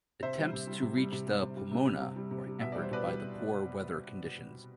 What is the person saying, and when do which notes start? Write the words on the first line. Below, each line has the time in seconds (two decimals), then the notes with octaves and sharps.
Attempts to reach the "Pomona" were hampered by the poor weather conditions.
0.23 C3 C5 E5
0.38 G3
0.53 C3
0.67 G3
0.82 C3
0.97 G3
1.12 C3
1.27 G3
1.42 C3
1.57 G3
1.71 C3
1.87 G3
2.02 C3
2.16 G3
2.31 C3
2.46 G3
2.61 B2 E5
2.72 G3 D5
2.82 C5
2.91 B2 B4 D5
3.06 G3